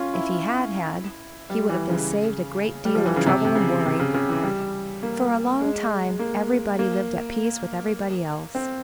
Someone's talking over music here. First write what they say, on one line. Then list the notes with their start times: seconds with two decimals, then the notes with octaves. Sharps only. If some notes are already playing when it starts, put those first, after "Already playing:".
If he had had, he would have been saved a great deal of trouble and worry. For a long time everybody lived at peace with everybody else.
Already playing: C#4 F4
0.14 E4
1.50 G3
1.69 E3
1.90 C#3
2.85 G3
2.95 F3
3.06 E3
3.16 C#3
3.26 C3
3.45 C3
3.55 C#3
3.85 C3
4.00 C#3
4.14 C#3
4.29 E3
4.43 G3
5.03 A#3
5.61 G#3
6.19 A#3
6.79 A#3
8.55 C4